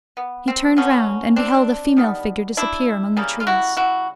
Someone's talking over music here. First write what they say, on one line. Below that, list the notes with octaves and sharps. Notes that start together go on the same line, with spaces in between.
He turned round, and beheld a female figure disappear among the trees.
B3
C4
D3 F3 A#3 B3 C#4
C4 D4
D#3 G3 B3
D4 E4
C#3 E3 G3 A#3
F4
E4 F#4
E4 F#4